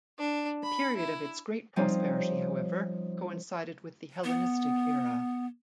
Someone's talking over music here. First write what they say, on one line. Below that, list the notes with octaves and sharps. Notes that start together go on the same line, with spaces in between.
The period of its great prosperity, however, coincided with the Hellenistic era.
D4
B5
E4
F3 G3 C4 C#4 D#4
B3